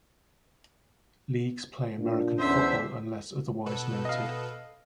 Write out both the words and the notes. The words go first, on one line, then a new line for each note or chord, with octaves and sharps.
Leagues play American football unless otherwise noted.
A#2 D4
E2 D3 C#4 C5 E5
B2 A4 B4
D#5 F5